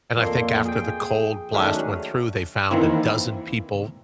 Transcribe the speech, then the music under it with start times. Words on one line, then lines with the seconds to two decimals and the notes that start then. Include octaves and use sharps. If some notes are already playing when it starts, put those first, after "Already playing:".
And I think after the cold blast went through; They found a dozen people
0.17 F2 A#2 A#3 A4 C6
0.65 G#4 G5
1.53 D#3 F#3 G#3 A3 C#4 D4
2.71 D#3 E3 A#3 C4 E4